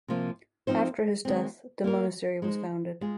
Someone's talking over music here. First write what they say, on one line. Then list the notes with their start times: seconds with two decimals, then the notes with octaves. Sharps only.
After his death, the monastery was founded.
0.08 C3 F3 A#3 F4
0.67 F3 C4 D#4 C5
1.25 D#3 G#3 C4
1.84 A#3 F4 A#4
2.42 G#3 D#4 C5
3.01 G#3 F4 G#4